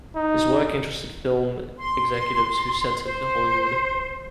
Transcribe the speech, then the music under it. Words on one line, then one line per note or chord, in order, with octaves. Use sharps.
His work interested film executives who sent him to Hollywood.
D#4
C6
C5